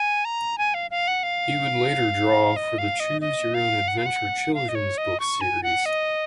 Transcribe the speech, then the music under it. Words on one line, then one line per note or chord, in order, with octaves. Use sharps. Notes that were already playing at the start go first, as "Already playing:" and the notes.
He would later draw for the Choose Your Own Adventure children's book series.
Already playing: G#5
A#5
G#5
F5
F5
F#5
F5
D#5
F5
D#5
D#5
F5
F#5
F5
F#5
F5
D#5
C#5
D#5
C#6
G#5
F#5
D#5